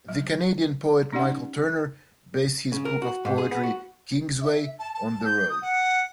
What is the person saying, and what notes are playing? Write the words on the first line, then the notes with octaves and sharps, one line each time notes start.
The Canadian poet Michael Turner based his book of poetry, "Kingsway", on the road.
F#3
C#4 D#4 G4 D5 F#5
C#3
A#4
F#4
G#2
G#4
B3
F#4
E5
A5
A5
G6
D#6
F#5